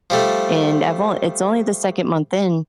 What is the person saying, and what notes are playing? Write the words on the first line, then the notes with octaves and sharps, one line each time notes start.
and I've on it's only the second month in,
F3 G3 A3